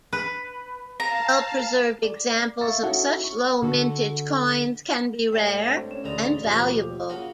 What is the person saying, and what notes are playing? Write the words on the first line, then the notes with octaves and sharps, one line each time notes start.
Well preserved examples of such low mintage coins can be rare and valuable.
B4
F5 A5 A#5
D5
E5 F5 C#6 E6 A6
C#4 D#4 E4 F#4 A4 F#5
C#6
D3 F#4 A4
A2 G3 G#3
C4 D4 A5
C#4 C#5
A1 D2 C#3 G#3 D5 A#5
D#2 B2 F3 F4 G4
C#3 A#3 F#4